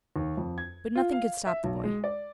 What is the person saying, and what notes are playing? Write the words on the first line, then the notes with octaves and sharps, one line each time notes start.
But nothing could stop the boy.
D#2
F2
G#6
F4
F5
E5
B1
G#3
D5